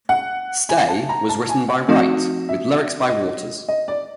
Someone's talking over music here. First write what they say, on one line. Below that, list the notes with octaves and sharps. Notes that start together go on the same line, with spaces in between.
"Stay" was written by Wright, with lyrics by Waters.
F#5
G#5
A5
A#5
A5
G#5
F#5
F3 A3 C4 D#4 F#4 F5
E5
D#5
D#5
D5